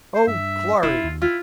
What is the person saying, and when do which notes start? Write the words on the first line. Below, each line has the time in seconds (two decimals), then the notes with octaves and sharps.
Oh, glory!
0.15 C5
0.27 G2 E5
0.83 E1 E4 F4
1.04 D#2
1.22 E4 F4